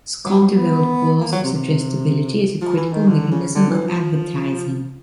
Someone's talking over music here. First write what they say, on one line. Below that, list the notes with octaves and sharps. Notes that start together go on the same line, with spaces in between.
Scott developed laws of suggestibility as a critical mechanism of advertising.
F#3
F#3
B3
A#3
F#3
C3
C3
F3
E3
D#3
D3
C#3
D3
E3
F3